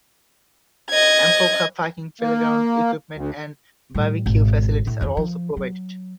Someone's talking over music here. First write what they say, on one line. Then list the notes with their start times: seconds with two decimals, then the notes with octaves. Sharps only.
Ample car parking, playground equipment and barbecue facilities are also provided.
0.90 D#5 G#6
2.21 A#3
3.15 D2
3.94 A2 G3
4.26 G#1 B2
4.87 A2
5.01 F2 D#3
5.17 F3
5.57 F#3